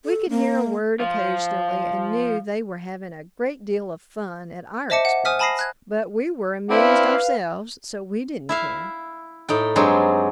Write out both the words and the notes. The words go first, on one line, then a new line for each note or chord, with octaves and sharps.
We could hear a word occasionally and knew they were having a great deal of fun at our expense; but we were amused ourselves, so we didn't care.
A4
A#3
F3 F4
C5 D#5 E5 A5 D6 C#7
F#5
C5 G#5 D#6 F6 B6
G#5 A5 B5 D#6 A#6 C7
F#6 G#6
C4 D4 E4 B4 F5
E4 E5 F5
A2 D#4 G5
G2 F#3 G#3 C4 G5